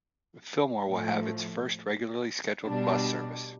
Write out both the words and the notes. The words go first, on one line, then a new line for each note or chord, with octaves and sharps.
Fillmore will have its first regularly scheduled bus service.
A2 F3 A3
B2 G3 D4